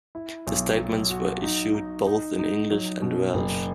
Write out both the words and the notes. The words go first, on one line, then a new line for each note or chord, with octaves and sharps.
The statements were issued both in English and Welsh.
E4
B1
F#3
F#4
D#4
D#4
D#4
D#4
F#3
B2
F#1